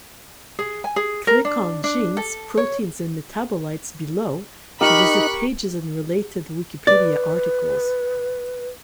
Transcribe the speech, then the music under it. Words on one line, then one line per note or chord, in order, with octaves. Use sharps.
Click on genes, proteins and metabolites below to visit pages and related Wikipedia articles.
G#4
G#5
G#4
A#4
D4
D4
A4
C#5
D#4 G4 A#4 G5 B5 C#6 F#6
B4 D5